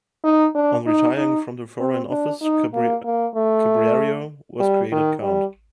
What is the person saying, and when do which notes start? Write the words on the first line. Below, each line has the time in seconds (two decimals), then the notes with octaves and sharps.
On retiring from the foreign office Cibrario was created count.
0.24 D#4
0.55 D4
0.87 D#4
1.17 D#4
1.80 C4
2.11 D4
2.42 D#4
2.74 A#3
3.05 A#3
3.35 A3
4.60 G3
4.92 D#3
5.22 G3